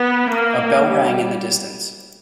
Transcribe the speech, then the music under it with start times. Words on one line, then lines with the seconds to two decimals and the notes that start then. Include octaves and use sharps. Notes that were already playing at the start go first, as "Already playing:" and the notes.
A bell rang in the distance.
Already playing: B3
0.31 A#3
0.86 G3